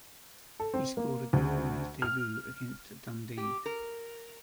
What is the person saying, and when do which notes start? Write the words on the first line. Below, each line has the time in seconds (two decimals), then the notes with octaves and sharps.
He scored a goal on his debut against Dundee.
0.60 A4
0.74 C4
0.97 A#3
1.33 D2
2.02 F6
3.37 G4
3.66 A#4